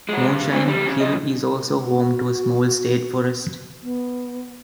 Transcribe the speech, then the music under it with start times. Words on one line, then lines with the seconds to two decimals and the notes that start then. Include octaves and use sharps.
Moonshine Hill is also home to a small state forest.
0.09 G#3 F#4
0.28 G2
0.52 C4 C#5
0.66 F2 G3
0.86 C#3
1.00 F#2 D#5
1.84 F#4
3.83 B3